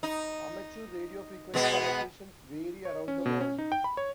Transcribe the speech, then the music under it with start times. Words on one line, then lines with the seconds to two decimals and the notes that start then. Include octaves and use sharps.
Amateur radio frequency allocations vary around the world.
0.03 D#4
1.54 B2 G#3 B3
2.85 C#5
3.08 C#4
3.26 B2
3.41 C#4
3.58 D#4
3.72 G5
3.84 B5
3.97 C#5